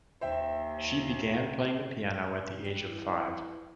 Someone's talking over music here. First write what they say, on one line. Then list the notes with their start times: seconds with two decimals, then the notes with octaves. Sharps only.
She began playing the piano at the age of five.
0.21 D#2 C5 E5 G5
2.64 E3 G3